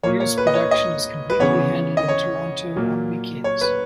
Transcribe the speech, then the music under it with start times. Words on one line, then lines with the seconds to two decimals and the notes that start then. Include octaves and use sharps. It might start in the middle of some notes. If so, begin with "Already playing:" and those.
News production is completely handled in Toronto on weekends.
0.03 A#3 C#5
0.07 A#2
0.20 C#5
0.38 B4
0.47 D#5
0.55 C#5
0.71 D#5
1.30 B4
1.40 C#3 E3 B3 C#5
1.97 D#5
2.08 C#5
2.76 A#2 F#3 A#3
3.44 C#5
3.61 B4